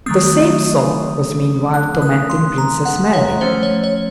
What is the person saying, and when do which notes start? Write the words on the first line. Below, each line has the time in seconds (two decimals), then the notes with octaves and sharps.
The same thought was meanwhile tormenting Princess Mary.
0.06 D#3 F#3 A3 C4 D#6
1.74 F#6
2.02 D#6
2.30 C6
2.58 A#5
2.85 F#5
3.13 C#5
3.41 F3 A3 C#4 C5
3.63 C#5
3.84 C#5